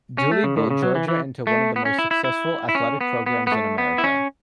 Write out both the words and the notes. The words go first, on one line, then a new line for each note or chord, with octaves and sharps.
Dooley built Georgia into one of the most successful athletic programs in America.
C#4
A3
C#3
A2
C#3
F#3
E3
E3
A3
B3
C#4
E4
E4
E4
E4
C#4
B3
B3
B3
A3
B3
E4
C#4